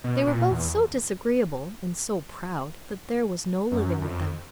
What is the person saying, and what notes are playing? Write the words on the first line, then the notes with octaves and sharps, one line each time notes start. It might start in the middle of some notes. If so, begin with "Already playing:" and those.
They were both so disagreeable, and so proud, that there was no living with them.
B2
A#2
E2
F#2
F2